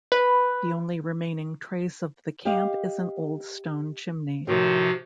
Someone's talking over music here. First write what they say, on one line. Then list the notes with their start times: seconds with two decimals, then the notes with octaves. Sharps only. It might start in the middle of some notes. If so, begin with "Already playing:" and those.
The only remaining trace of the camp is an old stone chimney.
0.12 B4
2.45 G4 D#5 F5
4.47 A2 C3 D#3 F3 F#4